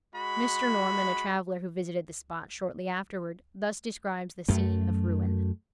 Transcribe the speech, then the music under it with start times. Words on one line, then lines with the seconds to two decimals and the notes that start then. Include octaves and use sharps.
Mr. Norman, a traveler who visited the spot shortly afterward, thus describes the scene of ruin.
0.14 G#3 F#4 B5
4.48 F#2 A3